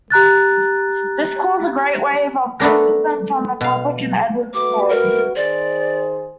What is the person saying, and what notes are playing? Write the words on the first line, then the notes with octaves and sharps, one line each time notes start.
This caused a great wave of criticism from the public and Edward's Court.
G4 A#5 F#6 A6
A3 B3 D4 A#4
B2 F5
A3 F#4 B4 D6
A#4
D#3 G#4 C5 D5